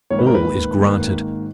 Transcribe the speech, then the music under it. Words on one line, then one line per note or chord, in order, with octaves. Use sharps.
All is granted.
G#1 G#2 D#3 A#3 C#5
B4
A#4
B4
G#1 G#2 D#3 A#3